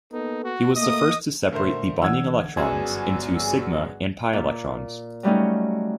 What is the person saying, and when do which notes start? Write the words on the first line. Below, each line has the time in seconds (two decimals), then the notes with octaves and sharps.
He was the first to separate the bonding electrons into sigma and pi electrons.
0.13 A#3 B3 D#4 A4
0.44 F#4
0.75 A3 A#3 D#5 D#6
1.52 A#2 D3 A3 A#4 C5
2.02 B1 E3 F#5 E6 G#6
2.57 G1 F#2 B3 D4 F#4 G#4 G#5 E6
4.33 A#2
5.23 F#3 G3 A3 C#4 D#4